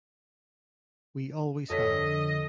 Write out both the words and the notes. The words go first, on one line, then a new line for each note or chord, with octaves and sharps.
We always have.
F2 D3 A4 C#5 D#5 B6